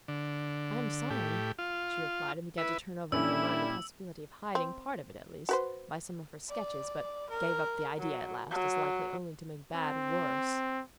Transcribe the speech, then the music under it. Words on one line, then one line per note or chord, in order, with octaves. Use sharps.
I am sorry!' she replied, and began to turn over in her mind the possibility of hiding part of it, at least, by some of her sketches, but gave up the idea at last, as likely only to make bad worse.
D3
A2 G4
F4
E4 B4
A#2 G3 C#4 D4 E4 A4 D5 E6
C4
F#4 B4 C5
D5
A#4
F#3
F#3
C4